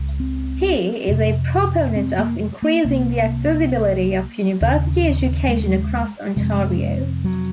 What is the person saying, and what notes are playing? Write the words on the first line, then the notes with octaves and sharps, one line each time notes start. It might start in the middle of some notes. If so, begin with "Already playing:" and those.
He is a proponent of increasing the accessibility of university education across Ontario.
Already playing: C#2 C#3
C4
F2 C3
C4
A#3
A#3
C2 C3 A#3
D#2 C#3
G#3
F2 C3 G#3
F#3